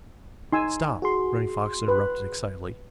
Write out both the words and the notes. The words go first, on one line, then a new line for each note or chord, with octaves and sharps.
"Stop!" Running Fox interrupted, excitedly.
D#4 G#5 C6 E6
F#4 G#4 C6
B4